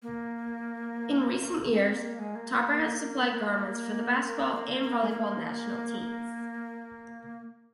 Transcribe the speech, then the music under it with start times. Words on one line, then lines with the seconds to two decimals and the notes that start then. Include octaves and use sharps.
In recent years, Topper has supplied garments for the basketball and volleyball national teams.
0.03 A#3
1.72 C4
1.93 A#3
2.15 A#3
2.19 G#3
2.35 A#3
4.26 A#3
4.54 A#3
4.82 A#3
5.02 G#3
5.10 A#3